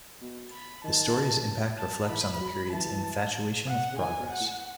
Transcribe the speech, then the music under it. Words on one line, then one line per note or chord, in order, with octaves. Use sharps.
The story's impact reflects on the period's infatuation with progress.
B2
B5
D#3 A5
A5
E3 B5
F#3
E3 A5
F#5
C#3
D#3 G#5
B2
F#5
A2